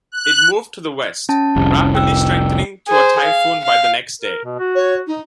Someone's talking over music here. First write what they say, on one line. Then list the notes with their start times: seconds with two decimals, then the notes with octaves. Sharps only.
It moved to the west, rapidly strengthening to a typhoon by the next day.
0.12 F#6
1.29 C#4 A5
1.56 F1 C2
1.95 G5 E6
2.88 G#4 C5
3.23 F5
3.64 F5
4.22 A#4
4.44 B2
4.59 F#4
4.75 C#5
5.07 D#4